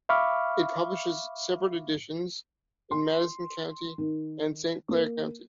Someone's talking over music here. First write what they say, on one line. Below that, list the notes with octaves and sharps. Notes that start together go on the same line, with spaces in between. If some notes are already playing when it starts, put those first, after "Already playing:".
It publishes separate editions in Madison County and Saint Clair County.
E5 F5 B5 C#6 D6 F6
C6
D#3
A#3